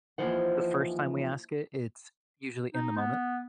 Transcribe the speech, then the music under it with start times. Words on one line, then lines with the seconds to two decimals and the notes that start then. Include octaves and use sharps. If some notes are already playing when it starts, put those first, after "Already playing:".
the first time we ask it, it's usually in the moment.
0.18 D#2 C3 E3 F3 C5 F#5
2.74 D#4
2.97 B3